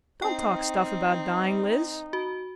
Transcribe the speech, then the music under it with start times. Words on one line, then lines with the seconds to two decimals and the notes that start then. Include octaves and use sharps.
'Don't talk stuff about dying, Liz.'
0.22 C4 D#4 G5
2.13 F#4